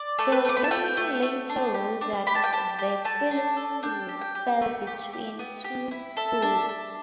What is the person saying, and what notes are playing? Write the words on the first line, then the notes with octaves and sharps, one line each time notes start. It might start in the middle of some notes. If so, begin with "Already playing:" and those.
Phil Dunne later wrote that the film fell between two stools.
Already playing: D5
A3 A4
B4
A3 D6
B5
A5
A3 G5
A3
A3
D4
G4
D4
G4 B5
A5
G5
G4 A5
G4
A3 A5
D4
A4
D4 G5
G4
G5
G4
A3
G4
G4
B3
G4
E4
A4 E5
D4
D4